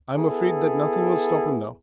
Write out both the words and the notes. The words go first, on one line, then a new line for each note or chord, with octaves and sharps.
I am afraid that nothing will stop him now.
B3 E4 G#4 A4